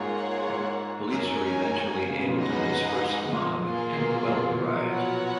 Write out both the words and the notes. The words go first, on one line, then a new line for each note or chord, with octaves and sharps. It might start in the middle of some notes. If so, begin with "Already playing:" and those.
Police were eventually able to disperse the mob and quell the riot.
Already playing: G#2 A#3 F4 G#4 C#5 F#5
G#2
F#2 D#4 A#4 C#5 G#5
G#2
C#3
B2
A#2
G#2 D#4 G#4 B4 D#5 F#5
F#2
G#2
A#2
A#3 F4 G#4
B2
A#2
B2
F3
F#3
B3 F#4 C#5 F#5